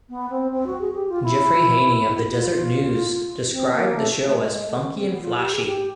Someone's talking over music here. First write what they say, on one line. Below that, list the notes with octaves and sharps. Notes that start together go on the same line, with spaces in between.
Jeffrey Haney of the "Deseret News" described the show as "funky and flashy".
B3
C4
C4
F#4
G#4
G4
F4
E4
E4
F4
F4
C4
A#3
A3
A3
G#3
G#3
A3
C#4
C4
B3
F4
G4
G#4
G4